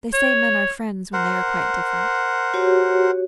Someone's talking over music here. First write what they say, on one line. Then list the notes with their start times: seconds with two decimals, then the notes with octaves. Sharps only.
They say men are friends when they are quite different.
0.13 C#5
1.13 A#4 C5 F#5
2.54 F#4 G4 C#5